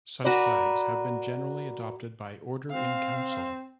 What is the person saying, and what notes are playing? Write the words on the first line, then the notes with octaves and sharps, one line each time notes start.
Such flags have generally been adopted by Order in Council.
F#4 A#4 B4 D5
C4 F5